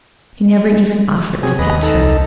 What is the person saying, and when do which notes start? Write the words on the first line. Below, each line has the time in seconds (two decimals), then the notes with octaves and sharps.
He never even offered to touch her.
1.43 C3 F#3 G#4
1.59 D#2 B4 D#5
1.83 D#4 A4
1.95 C2